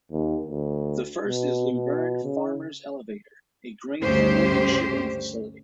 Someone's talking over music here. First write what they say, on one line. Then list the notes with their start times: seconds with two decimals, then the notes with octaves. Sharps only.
The first is Luverne Farmers Elevator, a grain handling and shipping facility.
0.12 D#2
0.47 D2
1.27 B2
1.72 B2
2.24 C#3
4.03 D2 G2 C#3 C#4 G4 C5